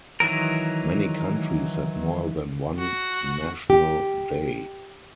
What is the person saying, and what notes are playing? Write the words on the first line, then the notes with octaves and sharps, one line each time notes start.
Many countries have more than one national day.
D#3 E3 F#3 A#4
F#4
G4